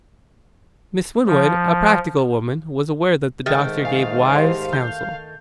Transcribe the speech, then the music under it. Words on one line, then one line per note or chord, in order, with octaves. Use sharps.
Miss Winwood, a practical woman, was aware that the doctor gave wise counsel.
F3
G#2 D#3 A3 G#4
F5 G#5
G4 C5 C6
G6